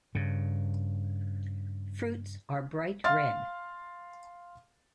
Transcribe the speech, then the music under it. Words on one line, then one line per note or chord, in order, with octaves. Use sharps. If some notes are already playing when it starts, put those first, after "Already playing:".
Fruits are bright red.
G2 C#3
F5 C6 F6 A6